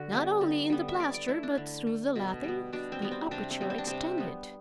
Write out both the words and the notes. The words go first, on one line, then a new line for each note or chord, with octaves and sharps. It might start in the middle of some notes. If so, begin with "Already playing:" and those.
Not only in the plaster, but through the lathing, the aperture extended.
Already playing: D3 F#4
G3 B3
D3
G3 B3
E5
D3 D5
D5
A3 E4
D4
D3
A3
B2
G3 B3
B2 D4
C4
G3 B3
C4
C3 D4
C4
G3 B3
C4
D4
C3 C4
G3 B3